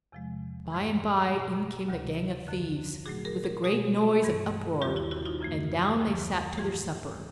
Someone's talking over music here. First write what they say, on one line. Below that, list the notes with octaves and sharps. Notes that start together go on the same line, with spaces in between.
By-and-by in came the gang of thieves with a great noise and uproar, and down they sat to their supper.
E2 C3 F3 G#3
G2 E3 G#3
B2 G3
D2 C3 D#3 G3
F2 D3 F3
A#2 F#3 A3 F#4 G#4
G#4 A#4
G#4 A#4
B2 G#3 F#4 G#4
G2 E3 G3
D#2 D#3 G3 F4 G4
E4 F#4
E4 F#4
D#4 F4
F#2 C#3 E3 A3
D#2 D3 F3
G#2 E3 A3 F4 G4